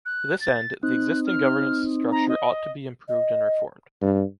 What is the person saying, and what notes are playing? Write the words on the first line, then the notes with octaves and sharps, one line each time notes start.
To this end, the existing governance structure ought to be improved and reformed.
F#6
A6
C4 D#4 F#6
F6
A#5
D#5
D#5
G2